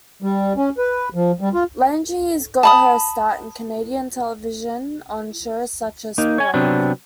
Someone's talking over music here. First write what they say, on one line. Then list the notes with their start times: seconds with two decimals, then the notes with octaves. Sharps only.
Lengies got her start in Canadian television on shows such as Sponk!
0.22 G3
0.57 C#4
0.78 B4
1.15 F3
1.41 G3
1.54 F4
2.63 A5 B5 D#6
6.18 A#3 D#4
6.38 C#5 G#5
6.54 C3 F#3 B3 C4 D4